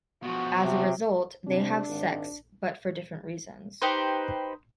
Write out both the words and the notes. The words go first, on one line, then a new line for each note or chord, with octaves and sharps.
As a result, they have sex, but for different reasons.
B2 F3 F#4
C3
C3 D4
G#1
D#4 G4 B4 C5